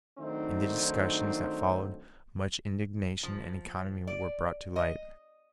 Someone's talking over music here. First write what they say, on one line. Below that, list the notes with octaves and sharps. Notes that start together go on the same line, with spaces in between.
In the discussions that followed much indignation and economy were brought to light.
D#3 F#3 A3 C4 D4 D#4
F3
D5
D#5